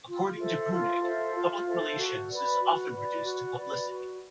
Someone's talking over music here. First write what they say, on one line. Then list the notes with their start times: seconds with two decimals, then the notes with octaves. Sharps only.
According to Grunig, public relations is often reduced to publicity.
0.08 F4
0.40 A4 C5 E5
0.71 F4
1.02 A4 C5 E5
1.34 F4
1.66 A4 C5 E5
1.97 F#4
2.28 B4 D5
2.59 F#4
2.91 B4 D5
3.23 F#4
3.54 B4 D5
3.86 F#4